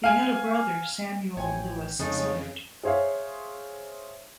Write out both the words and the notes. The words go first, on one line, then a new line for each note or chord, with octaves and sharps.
He had a brother, Samuel Lewis Southard.
F5 G#5
A1 C#5 G5 G#5
F2 C#3 G#3 A3 D#4 C#5
G#4 C5 C#5 E5 F5